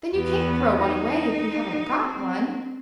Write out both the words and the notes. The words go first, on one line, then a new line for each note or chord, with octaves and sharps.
"Then you can't throw one away, if you haven't got one."
E2 B3
D#4
C4